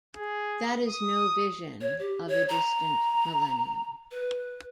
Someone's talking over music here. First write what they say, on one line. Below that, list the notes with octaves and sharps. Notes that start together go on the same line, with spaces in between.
That is no vision of a distant millennium.
G#4
D#6
C#5
G4
C#5
A#5
B4